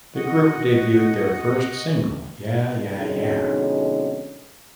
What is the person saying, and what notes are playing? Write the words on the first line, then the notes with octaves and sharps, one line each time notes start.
The group debuted their first single Yeah, Yeah, Yeah!
F#4 D#5 F#5
F2 B2 D3 G#3 C#4 D#4